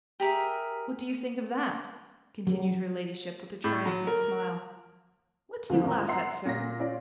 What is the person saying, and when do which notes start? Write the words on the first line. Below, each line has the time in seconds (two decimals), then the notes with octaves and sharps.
What do you think of that?' continued her ladyship, with a triumphant smile. 'What do you laugh at, sir?
0.20 G4 G#4 A#4 E5
2.47 F#3
3.64 A2
3.86 F#3
4.07 A#4
5.70 D#2 F3
5.84 G#1 A#4 A#5
6.08 E5 F#5 A#5 C6 E6 C7
6.46 A#2 A#6
6.80 C#4 F4 D5